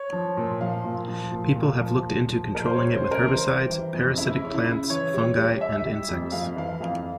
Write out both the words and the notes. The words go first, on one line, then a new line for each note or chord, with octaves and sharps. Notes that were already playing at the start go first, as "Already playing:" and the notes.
People have looked into controlling it with herbicides, parasitic plants, fungi and insects.
Already playing: C#5
F3
A#2
F3 F5
A#2
F3
A#2
A#2
F3
A#2
F3
A#2 A#4
C5
G3 C#5
C5
C#3
A#4
E3
C5
G3
E3
F2
C#3 E4
C#3 C#4
E4
C#3
E3 C#5
G3
G3
G3 E5
G3
F2
F2 F5
E3 F5
F2 F5